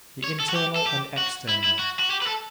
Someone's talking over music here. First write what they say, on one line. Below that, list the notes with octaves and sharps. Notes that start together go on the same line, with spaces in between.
The Internal and External.
C#5
A4
F#4
G4
A4
G4
F#4
E4
E4
F#4
F#4
G4
B4
A4